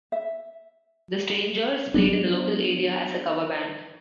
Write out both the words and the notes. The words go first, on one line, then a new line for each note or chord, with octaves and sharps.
The Strangeurs played in the local area as a cover band.
E5
F#3 B3 D4